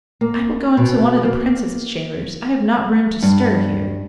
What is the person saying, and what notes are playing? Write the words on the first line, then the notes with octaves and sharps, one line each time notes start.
"I will go into one of the Princesses' chambers; I have not room to stir here."
A#3
B2
A#3
G2